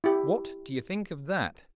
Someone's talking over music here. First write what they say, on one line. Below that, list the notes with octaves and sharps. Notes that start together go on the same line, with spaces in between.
"What do you think of that?"
E4 G4